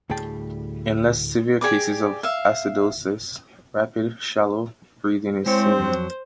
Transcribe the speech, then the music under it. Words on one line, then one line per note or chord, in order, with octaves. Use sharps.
In less severe cases of acidosis, rapid, shallow breathing is seen.
D2 A2 G3 G#4 G5 A5
G4 G#4 D5 D6
E5 F5
G#3 C4 E4 C5 C#5
F2 F#3